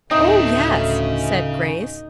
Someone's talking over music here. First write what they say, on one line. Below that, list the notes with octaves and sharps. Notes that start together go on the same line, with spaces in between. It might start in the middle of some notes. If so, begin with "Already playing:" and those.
"Oh yes," said Grace.
D2 A2 C4 D4 D#4 E5
C#3